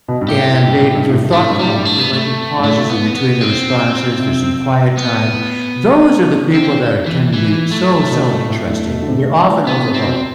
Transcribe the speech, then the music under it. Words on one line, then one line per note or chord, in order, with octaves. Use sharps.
And they they're thoughtful, there might be pauses in-between their responses, there's some quiet time, those are the people that are tend to be so, so interesting, and they're often overlooked.
B2
G2
A2 G4
G2
A2
G2
A2
G2
A2 A3
G2
G3
A2
G2
A3
B3
A3
G2
A2 A3
B3
B3
C4
C3
B3
D3 C4
E3
E3
A3
B2
G2
A2
G2
B2
D3
C3
D3
E3
D3 B3
C3
C4
B2